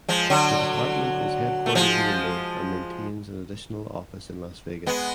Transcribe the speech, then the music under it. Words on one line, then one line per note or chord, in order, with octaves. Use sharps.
The department is headquartered in Reno and maintains an additional office in Las Vegas.
F3 G#3
D3 F#3
A3
F3 G#3
G#3 B3